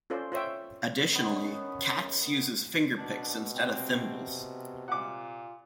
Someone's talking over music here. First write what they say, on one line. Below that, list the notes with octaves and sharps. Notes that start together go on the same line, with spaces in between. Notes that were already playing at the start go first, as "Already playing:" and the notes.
Additionally, Katz uses fingerpicks instead of thimbles.
C#4 F4 A4 C5 D5
F4 C5 C#5 E5 G5
D#3 B3 C#4
B2 D4
C3 C4
A#2 F4 F#5 D6